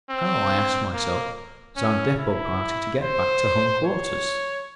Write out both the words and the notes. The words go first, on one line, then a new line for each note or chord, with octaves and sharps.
How, I ask myself, was our depot party to get back to home quarters?
C4
A#3
C#4
E4
C5
C#5